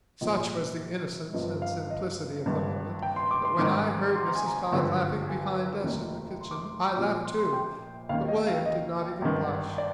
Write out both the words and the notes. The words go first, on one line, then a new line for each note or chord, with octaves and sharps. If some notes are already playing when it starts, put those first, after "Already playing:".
Such was the innocence and simplicity of the moment that when I heard Mrs. Todd laughing behind us in the kitchen I laughed too, but William did not even blush.
A#1 G#2 F3 D#5
G1 G2 F3 D#5
F5
D#5
G#1 G2 D#3
G5
C6
D6
C6
G#1 G#2 D#3 D6
C6
A#5
G#5
A#5
G#1 G2 D3 F3
G#5
F1 D#2 D#3
C6
D6
C6
A#1 A#2 F3 D6
D#6
C6
C6
G5
D#2 D#3 F5
D#5
F5
D#5
G#1 G2 D#3
D5